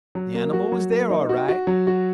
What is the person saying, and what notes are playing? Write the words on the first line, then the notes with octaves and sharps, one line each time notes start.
The animal was there all right.
F#3
A#3
F#4
F#3
A#3
D#4
F#4
F#4
F#3
F#4